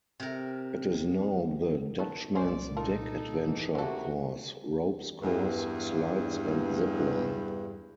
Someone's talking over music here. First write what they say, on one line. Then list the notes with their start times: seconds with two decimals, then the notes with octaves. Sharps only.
It is now the "Dutchman's Deck Adventure Course" ropes course, slides and zip line.
0.20 C3 A#4
1.99 D#3 B3 A4
2.35 C2 A#2 C#4 A#4 C5 D5
2.77 D#4 F4 A4 A#4 A5
3.41 G#2 E3
3.75 C3 E3 A3 A#3 F#4 A4
5.22 E2 G2